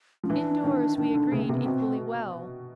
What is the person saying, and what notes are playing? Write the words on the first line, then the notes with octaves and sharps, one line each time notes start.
Indoors we agreed equally well.
F3 C#4
E3 D4
D#3
D#3 D4
D3
C#3 A3
C3 A#3
B3
B2 C4